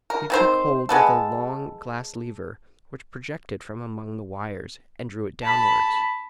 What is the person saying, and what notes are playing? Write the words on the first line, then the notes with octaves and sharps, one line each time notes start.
He took hold of a long glass lever which projected from among the wires, and drew it downwards.
A#4
D#3 C4 C5
G#3 B3 A4
A5 B5